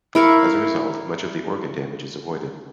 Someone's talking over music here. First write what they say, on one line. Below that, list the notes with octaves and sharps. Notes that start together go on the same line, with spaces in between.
As a result, much of the organ damage is avoided.
E4 A#4 F5 C#6